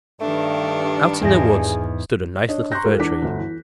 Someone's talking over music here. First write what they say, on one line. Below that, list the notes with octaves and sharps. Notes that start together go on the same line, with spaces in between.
Out in the woods stood a nice little Fir Tree.
G2 D#3 A3 D4
E2 G#2 G#4 A#6
D4 C#5 D#5
A#5 C6 C#6 F#6 G6 A#6
G#3 F4 G4 A4 A#4
E2 D4 D6 B6
G1 D2
E3